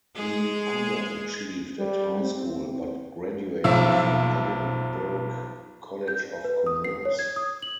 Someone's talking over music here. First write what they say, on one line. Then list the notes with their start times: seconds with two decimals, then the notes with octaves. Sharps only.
He underachieved at High School but graduated from Edinburgh College of Commerce.
0.15 G#3 G#4
1.79 G3
2.20 C4
3.64 B1 F3 E5 F5 E6
6.08 G6
6.44 B4
6.66 D#6
6.84 C7
7.05 C#5
7.19 G#6
7.36 D#6
7.62 F#7